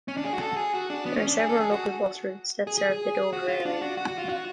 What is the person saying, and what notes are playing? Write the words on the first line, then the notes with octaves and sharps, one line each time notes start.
There are several local bus routes that serve the Dover area.
C#4
D4
G#4
F#4
A4
G#4
F#4
D4
B3
C#4
D4
G#4
A4
G#4
F#4
G#4
G#4
G#4
F#4
F4
D4
F#4
F#4
F#4
F4
F#4